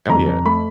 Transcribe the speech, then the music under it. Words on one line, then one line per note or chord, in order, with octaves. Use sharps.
Oh, yeah.
F2 A#5
F2
A3 B5